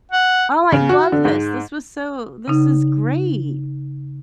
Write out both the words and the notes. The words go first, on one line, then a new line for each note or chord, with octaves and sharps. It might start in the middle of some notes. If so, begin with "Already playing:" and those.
Oh, I love this, this was so this is great.
F#5
C#3
F#4
D3
G#2
C#3 D#4